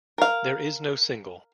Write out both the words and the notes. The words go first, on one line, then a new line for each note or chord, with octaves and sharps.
There is no single.
A#4 F5